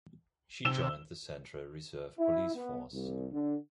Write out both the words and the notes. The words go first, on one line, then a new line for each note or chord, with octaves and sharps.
She joined the Central Reserve Police Force.
C3 E6 E7 G7
E4
B3
C2
D3